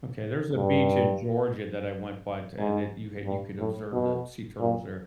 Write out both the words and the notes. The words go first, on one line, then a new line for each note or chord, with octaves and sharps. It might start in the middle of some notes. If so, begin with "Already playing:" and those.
Okay, there's a beach in Georgia that I went by to and it you had you could observe the sea turtles there.
G2
G#2
G2
A2
B2
A#2